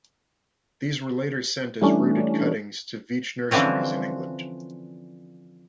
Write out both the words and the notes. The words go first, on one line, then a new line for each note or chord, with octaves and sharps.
These were later sent as rooted cuttings to Veitch Nurseries in England.
E3 G3 A3 C#4 D4
D3 E3 F3 C4 C#4